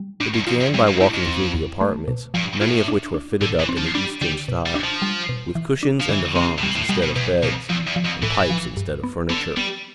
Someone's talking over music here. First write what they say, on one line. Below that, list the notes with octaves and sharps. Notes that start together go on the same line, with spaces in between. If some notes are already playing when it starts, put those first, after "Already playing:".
They began by walking through the apartments, many of which were fitted up in the Eastern style, with cushions and divans instead of beds, and pipes instead of furniture.
Already playing: G3
A2 D4
G2
F2 F4
E2
G2 G3
G2
A2 E4
F2
E2
E2
A3
B2
G2 F3
A2 F4
D4
D4
A2 D3
E3
C4
F3
G3 D4
D3 G3
B2
G3
D4
F3
G3
B2
E3
D4
F3
D3 E3
C3 C4
A2
B2 G3
A2
B2 G3
B2
E2 B2
F2 B2
E2 F3
E2
F3
F2
A2 E3
F3
G2
B3
D3 B3
G3 B3